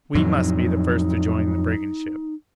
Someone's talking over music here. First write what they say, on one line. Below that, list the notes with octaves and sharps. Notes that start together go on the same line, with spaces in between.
We must be the first to join the brigand ship.
F2 A2 F#3 D#4